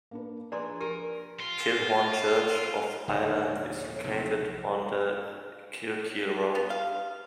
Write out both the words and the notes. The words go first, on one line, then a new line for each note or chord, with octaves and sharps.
Kilhorne Church of Ireland is located on the Kilkeel road.
A#3 D4 B4
F3 D4 G#4 B4 D5 A#5 C6
G4 A#4 D#7
F4
A#1 D#2 G#2 D3 D#3 A3 D#4 C#5
C3 D#3 F#3 C4
B3
F5